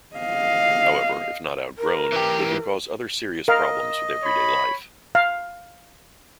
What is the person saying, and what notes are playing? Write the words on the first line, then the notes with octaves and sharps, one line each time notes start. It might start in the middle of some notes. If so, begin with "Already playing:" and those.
However, if not outgrown, they can cause other serious problems with everyday life.
D#5 F5
A#4
E3 G4
A#4 D#5 F5
C#5 B5
F5